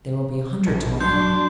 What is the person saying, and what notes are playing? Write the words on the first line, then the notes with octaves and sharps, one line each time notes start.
"There will be a hundred to-morrow."
A#1
F#3 D4 C6 G6